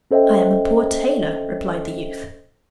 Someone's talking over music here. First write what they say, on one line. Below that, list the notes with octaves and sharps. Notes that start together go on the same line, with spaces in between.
'I am a poor tailor,' replied the youth.
C#4 A4 C5 D#5 E5 G5